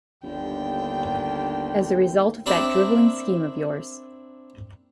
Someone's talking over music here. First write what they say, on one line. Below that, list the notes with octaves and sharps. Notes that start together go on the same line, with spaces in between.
As the result of that drivelling scheme of yours.
G1 D#2 D3 G5
C4 D4 E4 A#4 D5 G5